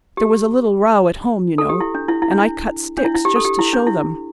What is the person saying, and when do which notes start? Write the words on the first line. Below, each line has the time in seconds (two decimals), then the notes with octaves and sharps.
There was a little row at home, you know, and I cut sticks just to show them.
0.17 G4
1.58 A4
1.69 G4
1.80 E4
1.95 D4
2.09 E4
2.22 E4
2.31 D4
2.39 E4
2.98 D4
3.05 E4
3.15 E4
3.25 G4
3.36 A4
3.45 G4
3.59 E4
3.73 D4
3.87 E4